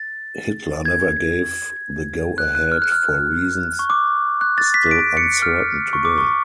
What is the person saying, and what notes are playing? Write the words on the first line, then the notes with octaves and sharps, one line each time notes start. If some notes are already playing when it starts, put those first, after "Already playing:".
Hitler never gave the go-ahead, for reasons still uncertain today.
Already playing: A6
G#6
F#6
F#6
F6
F#6
F6
C#6
D6
F#6
A6
B6
D7
C#7
F6
C#6
D6
C#6